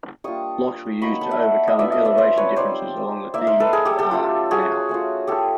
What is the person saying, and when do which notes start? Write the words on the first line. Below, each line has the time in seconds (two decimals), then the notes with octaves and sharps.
Locks were used to overcome elevation differences along the D and R canal.
0.24 G3 A#3 D4 F4 C#6 D#6
1.02 F#3 A#3 D#4 B5 C#6
1.21 A5 B5
1.31 E5 F#5
1.67 D#5
1.79 F#3 B3 D4 F4 D5 E5
1.92 D#5 F5
2.05 D5 E5
2.17 C5 D5
2.37 B4 C#5
2.56 G3 C4 D#4 C5 D5
3.34 A#3 D#4 D5 E5
3.47 A#4 C5
3.60 A4 B4
3.73 G#4 A#4
3.85 G4 A4
3.99 G4 A4
4.11 F#3 A3 C#4 F4
4.51 F#4 G#4
4.89 A3 C#4 F4
5.27 G4 A4